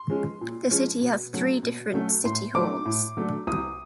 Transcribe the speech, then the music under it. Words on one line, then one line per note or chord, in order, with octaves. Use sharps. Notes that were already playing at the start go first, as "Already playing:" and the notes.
The city has three different City Halls.
Already playing: C6
F3 G#3 C#4
A#2
F3 G#3 C#4
B2
F#3 A3 C#4
B2
F#3 A3 C#4
A2 C6
F#3 A3 D4 D6
A2
F#3 A3 D4
C2 D#6